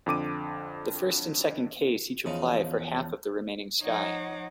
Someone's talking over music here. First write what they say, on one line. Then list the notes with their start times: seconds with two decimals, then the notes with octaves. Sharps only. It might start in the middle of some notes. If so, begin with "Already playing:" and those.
The first and second case each apply for half of the remaining sky.
0.06 F2 D3 D6 D#7
2.26 E2 C#3 F3 D#4
3.84 F3 D#4 C#5 F#5 D6